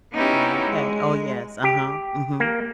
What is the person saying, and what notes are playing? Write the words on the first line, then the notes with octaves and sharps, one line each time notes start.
Oh okay oh, yes, uh-huh, mhm.
B3 C#4 D#4 E4 F#4 G4
G#3
G4
A#3